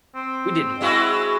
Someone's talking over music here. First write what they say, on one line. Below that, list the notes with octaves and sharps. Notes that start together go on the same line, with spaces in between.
We didn't walk.
C4
G#3 E4 F#4